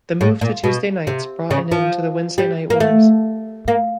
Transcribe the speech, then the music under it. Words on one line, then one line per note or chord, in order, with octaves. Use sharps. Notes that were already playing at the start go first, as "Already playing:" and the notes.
The move to Tuesday nights brought an end to the Wednesday Night Wars.
A2
A#2
B2
C3
C#3
F3
G3
A#3
A3
A#3